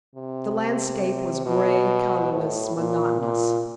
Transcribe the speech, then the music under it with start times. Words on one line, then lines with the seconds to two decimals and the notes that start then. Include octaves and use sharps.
The landscape was grey, colorless, monotonous.
0.15 C3
1.46 B2
2.33 A2
2.77 A#2
3.20 A#2